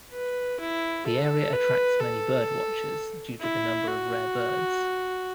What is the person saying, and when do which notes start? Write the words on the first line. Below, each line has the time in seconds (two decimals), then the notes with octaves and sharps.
The area attracts many bird-watchers, due to the number of rare birds.
0.12 B4
0.60 E4
1.07 A4
1.53 B4
2.00 A4
3.40 E4
3.87 F#4